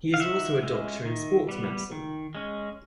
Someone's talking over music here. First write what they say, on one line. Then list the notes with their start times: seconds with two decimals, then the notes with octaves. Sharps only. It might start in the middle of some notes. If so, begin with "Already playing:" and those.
He is also a doctor in sports medicine.
0.14 F5
0.19 D#3 E5 F#5
0.63 G#3 C#4
1.05 D#3
1.49 G3 B3
1.92 D#3
2.35 G#3 C#4